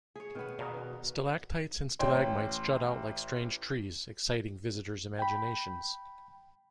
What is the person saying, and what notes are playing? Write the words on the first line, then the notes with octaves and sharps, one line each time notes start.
Stalactites and stalagmites jut out like strange trees, exciting visitor's imaginations.
G#4 C#5
B2 D#3 B3
B2 D5 F5 A#5 D#6
B4 F#5
A1 C#5 D5 G5 C6
G5 B5